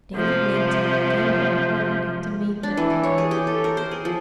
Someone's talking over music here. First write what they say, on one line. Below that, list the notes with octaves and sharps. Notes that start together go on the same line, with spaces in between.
David Linton came out hurriedly to meet them.
C3 F3
D4
E3
E4
C#5
G#4
G4
A4
A#4
C5
G#4
F3